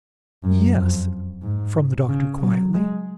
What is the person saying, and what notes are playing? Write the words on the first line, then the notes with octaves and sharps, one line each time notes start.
"Yes," from the doctor, quietly.
F#2
F2
G#2
C#3
F#3
G#3